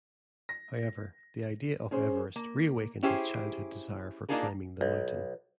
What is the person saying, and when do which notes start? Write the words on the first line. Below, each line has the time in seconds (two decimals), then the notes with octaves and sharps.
However, the idea of Everest reawakened his childhood desire for climbing the mountain.
0.49 A#6
1.91 C#4 G#4 C5
2.36 A#3
3.03 C#4 E4 G4 G#4 C5
4.29 A#3 D4 D#4 F4 G#4 A#4
4.81 B1